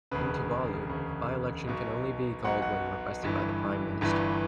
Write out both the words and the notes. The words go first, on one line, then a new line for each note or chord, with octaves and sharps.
In Tuvalu a by-election can only be called when requested by the prime minister.
E1 D2 C#3 B4
E1 D2 C#3
B1 B2
B1 B2 F#5
F#5
G1 G2 E3
G1 G2 E3